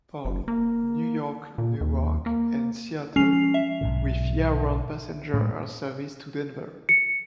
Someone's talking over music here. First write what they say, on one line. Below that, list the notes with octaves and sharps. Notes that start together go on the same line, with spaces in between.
Paul, New York Newark, and Seattle, with year-round passenger air service to Denver.
F#1
A#3
A#2
D#2
A#3
F3 G#3 C#4 C7 F7
E5
B1 G#2 C3
A2 G#3
C#7